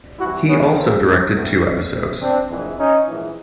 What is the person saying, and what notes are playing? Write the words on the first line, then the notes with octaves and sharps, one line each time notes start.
He also directed two episodes.
C2 C3 E3 E4 F#4
B3 C#4
D#2 C#3 E3 A#3 C4
C2 C3 D#3 A3 B3
D2 C3 E3
C4 D4
A#1 G#2 E3
C#4 D#4
A#1 G#2 E3